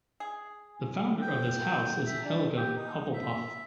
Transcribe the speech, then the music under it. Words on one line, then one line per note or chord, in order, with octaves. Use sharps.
The founder of this house is Helga Hufflepuff.
G#4
G5
E5
D4
G4
D#4
E5